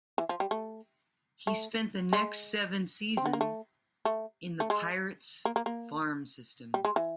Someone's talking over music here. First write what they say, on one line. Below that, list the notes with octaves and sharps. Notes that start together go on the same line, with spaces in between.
He spent the next seven season in the Pirates' farm system.
E3
F3
G3
A3
A3
G#3
C4
B3
A#3
A3
A3
A3
G#3
A#3
A#3
A#3
G3
G#3
E3